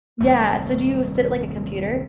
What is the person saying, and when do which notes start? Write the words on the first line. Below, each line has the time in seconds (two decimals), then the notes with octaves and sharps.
Yeah. So do you sit at, like, a computer?
0.21 D#1 C2 F#2 A3